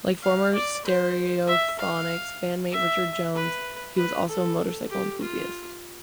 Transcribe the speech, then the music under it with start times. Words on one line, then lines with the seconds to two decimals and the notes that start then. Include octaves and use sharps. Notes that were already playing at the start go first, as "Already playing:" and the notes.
Like former Stereophonics bandmate Richard Jones, he was also a motorcycle enthusiast.
0.23 F5
0.54 D5
0.85 C5
1.47 E5
1.79 F5
2.72 E5
3.35 B4
3.96 B4
4.27 A4
4.90 G4
5.21 F4